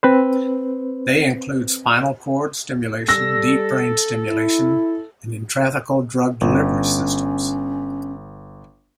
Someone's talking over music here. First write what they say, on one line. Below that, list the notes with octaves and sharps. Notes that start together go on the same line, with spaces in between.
They include spinal cord stimulation, deep brain stimulation and intrathecal drug delivery systems.
C4 B4 C5
G3 A4 E6 A#6
E4
G1 C#4